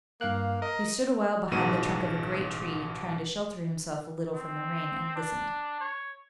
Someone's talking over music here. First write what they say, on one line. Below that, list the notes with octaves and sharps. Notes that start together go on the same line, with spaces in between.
He stood a while behind the trunk of a great tree, trying to shelter himself a little from the rain, and listened.
G2 A#3 F5 F#6
A#4 D#5
A1 G#2 B2 F#4 D#7
C4
D4
C#5